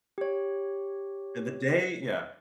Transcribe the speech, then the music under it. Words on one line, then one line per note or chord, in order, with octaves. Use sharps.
and the day yeah.
G4 C#5